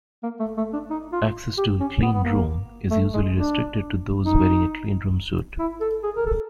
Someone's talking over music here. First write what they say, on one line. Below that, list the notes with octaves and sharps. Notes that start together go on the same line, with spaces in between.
Access to a cleanroom is usually restricted to those wearing a cleanroom suit.
A#3
A3
A3
D4
D#4
F4
G4
C#4
B3
B3
A#3
A3
G#3
D4
D#4
E4
A4
G#4
A#4
A4